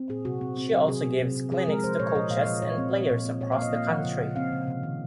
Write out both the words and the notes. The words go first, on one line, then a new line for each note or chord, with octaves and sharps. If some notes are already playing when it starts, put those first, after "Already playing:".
She also gives clinics to coaches and players across the country.
Already playing: C4
A#2 G#4
C3 F#4
C4
C4
F#3
C3 G#4
C4
C3
C3
F3 G#4
G#3 A#4
F3 C5
A#2 C#5
F3 D#5
A#2 F5
F3 D#5
A#2 C#5
C4
A#2
A#2
C4
A#2 C#5
F5
A#3 D#5
A#3 F5
F3 F#5
C#3
C#3
C4 F5
C#3
C3
D#3